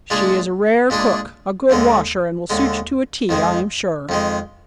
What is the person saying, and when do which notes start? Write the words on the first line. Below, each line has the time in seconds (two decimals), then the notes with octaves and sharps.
"She is a rare cook, a good washer, and will suit you to a T, I am sure."
0.10 A#2 G#3 D4 G#4
0.90 A#2 G#3 D4 G#4
1.70 D#2 D3 G#3
2.50 D#2 D3 G#3
3.29 F2 D#3 G#3
4.09 F2 D#3 G#3